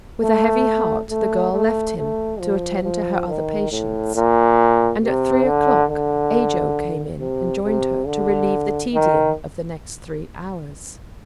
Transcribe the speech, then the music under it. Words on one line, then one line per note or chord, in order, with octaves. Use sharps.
With a heavy heart the girl left him to attend to her other patients and at three o'clock Ajo came in and joined her, to relieve the tedium of the next three hours.
A3
A3
A3
A3
F3
F3
D#3
A2
A#2
C3
D3
D3
C3
C3
D3
D#3